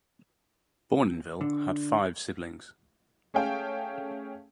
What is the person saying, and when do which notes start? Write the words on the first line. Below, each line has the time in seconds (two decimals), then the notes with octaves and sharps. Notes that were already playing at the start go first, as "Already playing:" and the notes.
Bournonville had five siblings.
1.41 D3
3.34 A3 C#4 G#4 F5 G5 A5